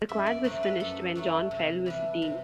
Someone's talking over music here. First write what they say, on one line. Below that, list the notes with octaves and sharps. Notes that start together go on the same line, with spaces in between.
The quad was finished when John Fell was Dean.
F#2 E5
D5
F#3 A3 D4 C5
B4
F#2 A4
F#3 A3 D4
C3
E3 G3 D4
C3